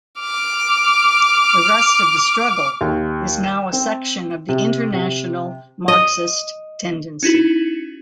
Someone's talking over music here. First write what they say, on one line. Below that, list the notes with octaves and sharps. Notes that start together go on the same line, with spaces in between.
The rest of The Struggle is now a section of the International Marxist Tendency.
D6 F6
D#2
E7
C4
C3
C3
D#5
C#4 D#4 E4 F#4